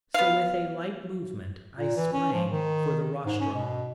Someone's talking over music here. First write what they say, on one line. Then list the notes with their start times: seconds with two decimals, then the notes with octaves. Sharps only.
So with a light movement I sprang for the rostrum.
0.14 B3 F5
1.77 A#2
1.96 E3
2.12 C#4
2.32 F3
2.50 D#3
3.26 G#2
3.40 C#4
3.54 B2